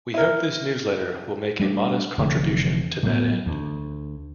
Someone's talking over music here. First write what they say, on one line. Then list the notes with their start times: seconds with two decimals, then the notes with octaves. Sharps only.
We hope this "Newsletter" will make a modest contribution to that end.
0.14 E4 A#4
1.60 G3 A3 D4
2.18 F1 D3 E3 A3
3.03 A2 F#3 B3
3.46 D2